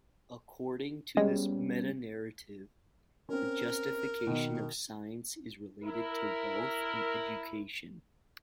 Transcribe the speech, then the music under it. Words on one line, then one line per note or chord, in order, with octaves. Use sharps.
According to this metanarrative, the justification of science is related to wealth and education.
G3 G#3 B3 C#4
C4 C#4 A#4
B2 D#3
E4 A#4